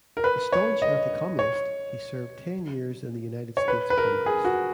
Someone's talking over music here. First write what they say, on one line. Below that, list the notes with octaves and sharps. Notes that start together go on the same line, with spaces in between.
A staunch anti-communist, he served ten years in the United States Congress.
A#4
B4
C#5
D#5
C#5
C#5
B4
B4
A#4
G#4
F#4